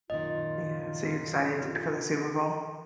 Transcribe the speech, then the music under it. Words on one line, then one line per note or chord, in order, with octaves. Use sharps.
Yeah. So you're excited for the Super Bowl?
F#2 A#2 D#3 F4 D#5